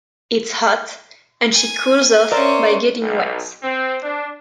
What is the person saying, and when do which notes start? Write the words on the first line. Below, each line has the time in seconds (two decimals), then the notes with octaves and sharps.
It's hot, and she cools off by getting wet.
1.52 G#5
2.31 C#4 A#4 C5 D5 E5
3.01 B1
3.63 C4
4.03 D4